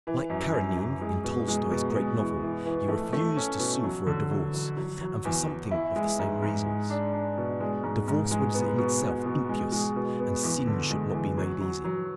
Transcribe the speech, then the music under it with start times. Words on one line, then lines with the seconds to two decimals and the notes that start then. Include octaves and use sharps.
Like Karennine in Tolstoy's great novel, he refused to sue for a divorce, and for something of the same reasons. Divorce was in itself impious, and sin should not be made easy.
0.07 E3
0.30 F#2
0.54 F#2
0.77 F#2
1.01 G#3
1.24 B2
1.48 G#3
1.71 B2
1.95 G#3
2.19 E3
2.42 E3
2.65 E3
2.89 A3
3.13 A3
3.37 C#4
3.59 B2
3.83 F#3
4.07 D3
4.31 F#3
4.54 F#3
4.77 F#3
5.01 F#3
5.25 E2
5.48 E2
5.71 E4
5.96 G#3
6.19 G#2
6.42 G#2
6.66 G#3
6.90 D4
7.13 D4
7.37 B2
7.60 G#3
7.83 G#2
8.08 G#2
8.31 G#3
8.54 B3
8.78 B2
9.02 B2
9.25 B2
9.49 G#3
9.72 G#3
9.96 B2
10.20 B3
10.43 E2
10.67 D3
10.90 G#3
11.14 E2
11.38 F#3
11.61 F#3
11.84 F#3